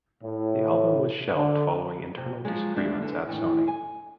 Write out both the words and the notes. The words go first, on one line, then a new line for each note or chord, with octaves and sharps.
The album was shelved following internal disagreements at Sony.
A2
D3
C3
F3 F#3 G#3
G3 G#3 B3 D4 E5 F5
E2 D3
A2 D#3 E3 E4
G#5